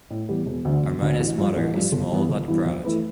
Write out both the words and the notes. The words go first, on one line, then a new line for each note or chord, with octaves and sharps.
Armona's motto is "Small But Proud".
A2
E3 G3 B3
E1
D2 D3
E1
D2 D3
A1
G2 F3
A1
G2 F3
G1
G2 E3 B3 E4
G1
G2 E3 B3 E4
F2
E3 A3 E4 B4